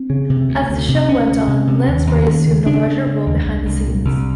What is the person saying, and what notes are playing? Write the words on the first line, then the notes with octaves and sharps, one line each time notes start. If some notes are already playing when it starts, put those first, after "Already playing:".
As the show went on, Lansbury assumed a larger role behind the scenes.
Already playing: C4
C#3
C3
D2
D2
C3
D2 C#4
D2
C3
C3
D#2
D#2
D#2
C#3
C#3 D4
C#3
C#3
D#2
C2
C2
A#2
C2